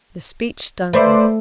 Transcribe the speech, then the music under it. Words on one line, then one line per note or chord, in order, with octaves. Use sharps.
The speech stung her.
A3 B4 C5 D5